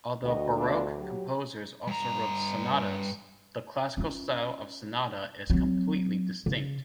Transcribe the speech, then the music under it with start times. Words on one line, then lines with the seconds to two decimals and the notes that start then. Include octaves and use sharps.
Although Baroque composers also wrote sonatas, the Classical style of sonata is completely distinct.
0.24 D2 F#4 G4 D#5
0.56 B3 D4 F4
0.98 F#3 G4
1.87 G2 A#5
3.97 C#4 F4
5.50 F#3 C4
6.46 C#3